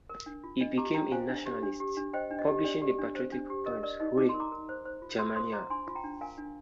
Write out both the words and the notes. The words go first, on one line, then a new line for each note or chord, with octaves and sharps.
He became a nationalist, publishing the patriotic poems Hurrah, Germania!
A#4
D4
F4
D4 D#5
G4 A#5 D6
D4 G5 A#5
C5 F5 G#5
D4
G4
D4
G4
D4
C5 D#5 G5
D4
D#5
G4
D4 D5
G4
D4
C5
D4
G4
A#4 D#5
A#4 D5
D#4 D#5
D#4 D6
C6
A#4
A#5 D6
A#4
C5
C5
F4
F4 C6 D#6
C5 C6 D#6
C5 A#5 D6
D4 G#5 C6
F4
G5 A#5
D4
A#4 F5 G#5
D4